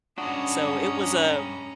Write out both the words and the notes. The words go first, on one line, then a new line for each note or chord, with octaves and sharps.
So it was a
G2 G#3 C#4 D4 F#4 A#5 D#6